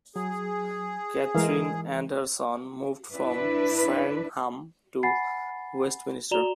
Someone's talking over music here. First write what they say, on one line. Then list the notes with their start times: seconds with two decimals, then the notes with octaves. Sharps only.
Catherine and her son moved from Farnham to Westminster.
0.16 F#3 G#4
1.35 E3 G#3 A#4 F5
3.14 D4 E4 B4
5.03 F#5 G#5 B5 A6 C7
6.31 F#4 D5 A#5 E7 F7 G7